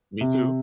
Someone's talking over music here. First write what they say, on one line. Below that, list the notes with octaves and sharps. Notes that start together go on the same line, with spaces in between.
Me too.
C3